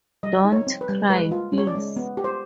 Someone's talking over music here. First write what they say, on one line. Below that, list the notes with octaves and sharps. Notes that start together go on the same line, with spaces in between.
Don't cry, please!
G3 D#5
D#4
C#5
C4
B4
G3
G#3 B4
F4
C#4
C#5
D5
G#3
B3
G4
C5